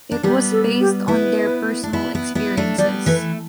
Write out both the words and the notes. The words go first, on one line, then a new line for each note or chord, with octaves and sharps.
It was based on their personal experiences.
D4
G3 B3 G4
A4
G4
B3 E4 B4
D4
B3 E4
B3 E4
B3 E4
A3 D4
G3 B3 D5
E3 A3 B4